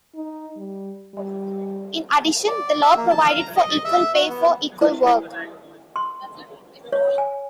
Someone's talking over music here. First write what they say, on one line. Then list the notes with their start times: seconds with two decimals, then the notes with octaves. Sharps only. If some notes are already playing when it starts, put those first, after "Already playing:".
In addition, the law provided for equal pay for equal work.
0.15 D#4
0.57 G3
1.14 G3
2.47 D5
2.82 E5
2.96 A#3
3.11 A5
3.25 F5
3.39 A#5
3.56 D#5
3.85 E5
4.14 F#4
4.29 B3
4.81 E4
5.96 C6
6.92 C#5
7.18 G#5